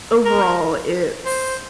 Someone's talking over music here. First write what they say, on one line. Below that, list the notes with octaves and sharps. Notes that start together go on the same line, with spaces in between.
overall, it's
A#4
C5